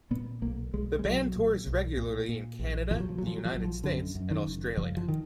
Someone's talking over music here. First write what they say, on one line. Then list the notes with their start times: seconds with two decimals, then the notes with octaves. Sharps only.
The band tours regularly in Canada, the United States and Australia.
0.11 A#2 B3
0.42 B1 A#3
0.73 B1 G#3
0.99 G#3
1.04 B1 F#3
1.35 A#2
1.66 B1
1.97 A#2
2.29 A#2
2.59 A#1
2.91 A#2 F3
3.00 F#3
3.09 F3
3.18 F#3
3.22 A#2 F3
3.37 F#3
3.45 F3
3.53 A#1 F#3
3.64 F3
3.84 F#2 D3
4.15 F#2
4.31 D#3
4.46 F#1
4.77 F#1 F3
4.97 F3
5.08 D#3